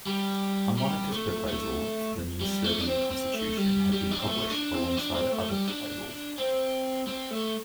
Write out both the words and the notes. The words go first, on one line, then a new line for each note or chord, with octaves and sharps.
A monarchist proposal for the new Serbian constitution has been published alongside other proposals.
G3
G3
A3
A3
G3
A3
D4
C4
C4
A3
G3
G3
D4
C4
A3
D4
C4
D4
C4
A3
G3
D4
C4
C4
A3